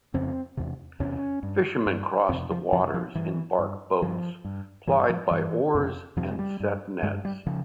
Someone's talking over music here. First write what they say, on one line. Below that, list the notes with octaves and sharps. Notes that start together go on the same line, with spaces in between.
Fishermen crossed the waters in bark boats plied by oars, and set nets.
F2 C#3 C4
E2 C3
E2 C3 C#4
G2
G2
F2 C3 C4
F3
F2 C3 F3
F3
G2 E3
G2
G2 F3
G2
G2 E3
F3
G2 E3
F2 C3
F2 C3 F3
G#3
G3
G2
G2 G#3
G3
C#3 F3